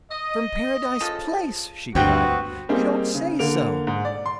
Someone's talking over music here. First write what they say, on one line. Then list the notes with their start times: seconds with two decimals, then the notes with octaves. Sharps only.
'From Paradise Place!' she cried, 'you don't say so!
0.10 D#5
1.01 C#3 F3 A4
1.95 D2 G2 G3 B3 C4 F#4 G5
2.69 G3 A#3 C4 D#4 G#4
3.15 C#3
3.39 D3 A#3 D7 F7
3.87 G#2
4.05 D5
4.26 C6